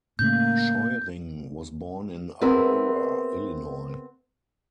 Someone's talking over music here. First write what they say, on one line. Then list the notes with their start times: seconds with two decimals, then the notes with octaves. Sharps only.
Scheuring was born in Aurora, Illinois.
0.19 A2 C#3 A3 A#3 G6
2.41 B3 C4 G#4 A#4 B4 E5